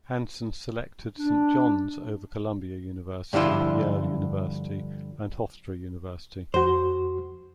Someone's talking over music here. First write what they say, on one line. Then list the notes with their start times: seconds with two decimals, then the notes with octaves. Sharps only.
Hansen selected Saint John's over Columbia University, Yale University, and Hofstra University.
1.18 D4
3.33 G2 D3 F3 E4 F4
6.54 F2 F#4 C5